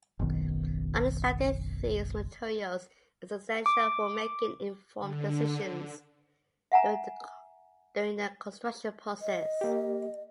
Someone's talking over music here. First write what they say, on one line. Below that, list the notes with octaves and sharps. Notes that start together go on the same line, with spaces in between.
Understanding these materials is essential for making informed decisions during the construction process.
F#1 B1 B2 D#3
D6
D3
E5 F#5 G#5 A#5
D#5
A#3 G4